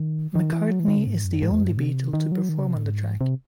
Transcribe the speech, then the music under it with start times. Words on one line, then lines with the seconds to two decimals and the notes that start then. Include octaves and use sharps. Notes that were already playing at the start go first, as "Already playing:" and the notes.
McCartney is the only Beatle to perform on the track.
Already playing: D#3
0.35 D#3
0.53 E3
0.71 F#3
0.80 E3
0.88 D#3
0.97 C#3
1.07 G#2
1.25 F#2
1.42 G#2
1.51 E2
1.60 F#2
1.69 G#2
1.77 C3
2.13 D#3
2.32 F#3
2.49 D#3
2.59 C#3
2.67 C3
2.76 A2
2.85 G#2
3.21 C3